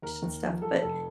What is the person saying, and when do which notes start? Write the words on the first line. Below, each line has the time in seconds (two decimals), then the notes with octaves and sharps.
and stuff, but
0.02 D#2 A#4
0.23 D#2
0.43 F3
0.62 F3 A4
0.82 F1 A4